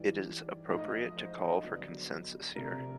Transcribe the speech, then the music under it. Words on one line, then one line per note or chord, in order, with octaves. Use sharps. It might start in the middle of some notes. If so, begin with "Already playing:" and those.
It is appropriate to call for consensus here.
Already playing: G#2 E3 G3 D5
G#2 F3 A3 D#5
C5
D3 F#3 B3 D4
C3 F3 A3 D4 A#4